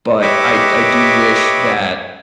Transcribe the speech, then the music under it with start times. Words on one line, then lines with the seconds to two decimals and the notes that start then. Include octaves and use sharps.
but I d I do wish that
0.21 G4 B4 C#5 D#5 E5 D6